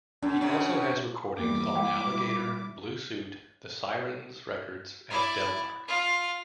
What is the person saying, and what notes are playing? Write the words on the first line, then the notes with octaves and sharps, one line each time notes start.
He also has recordings on Alligator, Blue Suit, The Sirens Records, and Delmark.
F#2 D4
F#2 C#3
E2 G3 A#3 A#4 D6
G3 G#3 E4 G5
E4 D5
F4